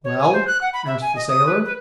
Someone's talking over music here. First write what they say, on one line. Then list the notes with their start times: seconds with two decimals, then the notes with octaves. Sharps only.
"Well?" asked the sailor.
0.04 C#5
0.20 G#5
0.33 C5
0.47 F#6
0.61 F#5
0.74 B5
0.86 E5
1.02 G#5
1.16 D#5
1.29 D#6
1.46 B4
1.65 B4